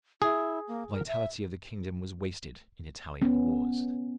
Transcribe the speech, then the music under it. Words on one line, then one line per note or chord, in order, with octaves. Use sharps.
The vitality of the kingdom was wasted in Italian wars.
E4 G#4
A#3
A#4
E5
B3 C#4